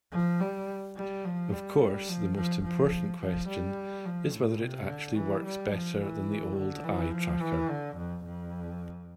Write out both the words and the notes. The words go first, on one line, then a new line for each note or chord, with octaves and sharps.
Of course, the most important question is whether it actually works better than the old eye tracker.
F3
G3
G3
F3
G3
F3
F3
F3
F3
G3
F3
A2
C3
D3
E3
G3
F3
E3
D3
E3
F3
E3
D3
F2
F2